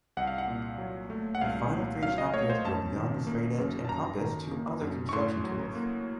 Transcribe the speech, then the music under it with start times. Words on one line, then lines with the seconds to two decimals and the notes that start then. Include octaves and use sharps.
The final three chapters go beyond the straightedge and compass to other construction tools.
0.17 C2 F#5
0.27 F5
0.38 F#5
0.48 A#2
0.78 F#3
1.10 A3
1.35 F#5
1.41 C2 F5
1.72 A#2
2.02 F#3 F5
2.18 D#5
2.34 A3 C#5
2.50 C5
2.65 F#2 A5
2.96 D#3
3.27 A#3
3.58 F#2
3.85 A5
3.89 F#2 A#5
4.20 D#3
4.51 A#3
4.81 F#2
5.09 C#6
5.13 A2 C6
5.44 F#3
5.75 A#3